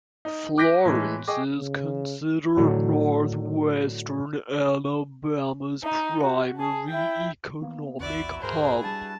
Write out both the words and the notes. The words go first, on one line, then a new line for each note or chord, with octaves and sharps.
Florence is considered northwestern Alabama's primary economic hub.
D#4
D6 F#6 G6 A#6 B6 D7
A2 E3 G#3
G#4 D#5 G5 C#6 D6
C#3
A2 D3 F#3
D#4
F#4 G4
G#4 A5
E4 G5
A#3 B3
A#1 E2 E4 F#4 B4 D5 E5
D#1 G#2 G#4 A#4 C5
G3 B3 D4 A5